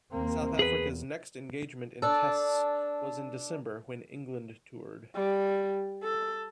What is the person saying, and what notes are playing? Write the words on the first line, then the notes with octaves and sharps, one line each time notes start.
South Africa's next engagement in Tests was in December when England toured.
D#2 A#3 C4
E2 G#4 B4
D4 A4
G3
A4